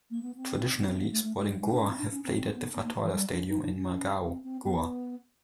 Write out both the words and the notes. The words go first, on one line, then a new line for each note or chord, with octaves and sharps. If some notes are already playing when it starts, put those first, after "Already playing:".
Traditionally, Sporting Goa have played at the Fatorda Stadium in Margao, Goa.
A#3
B3
C4
B3
C4
B3
A3
A3
G#3
G3
G#3
D4
C#4
C4
D4
C#4
C4
C4
B3
B3
A#3
E3
G3
C#4
D#4
D4
C#4
C4
C4
B3